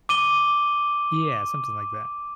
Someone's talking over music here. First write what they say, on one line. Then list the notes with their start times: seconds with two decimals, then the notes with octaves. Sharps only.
Yeah, something like that.
0.09 D6 D#7 G7